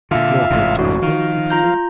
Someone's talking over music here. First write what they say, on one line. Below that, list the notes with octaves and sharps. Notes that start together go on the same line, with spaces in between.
"Nor heard tell of her?" he pursued.
A#2 D3 F4 E5 F5
A1 G#2 C3
E3 D4 F#4
D#3 F3 F5
F4 A#5 G6